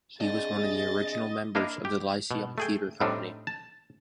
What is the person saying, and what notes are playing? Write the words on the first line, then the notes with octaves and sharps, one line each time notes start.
He was one of the original members of the Lyceum Theatre company.
C3 D4 G#4 D#5 A6
A#3 D4 E4 D#5 F5
G4
B2
A3 G#4 G5
A2 G3 C4 D4 D#4
A5